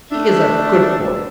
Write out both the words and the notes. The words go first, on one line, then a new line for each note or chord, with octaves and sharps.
He is a good boy.
A3 D4 E5